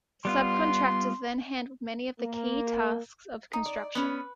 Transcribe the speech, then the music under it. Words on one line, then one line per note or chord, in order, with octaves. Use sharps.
Subcontractors then handled many of the key tasks of construction.
G3 B3 F4 C6
A#3
D#4
D5
B3 C#4 B4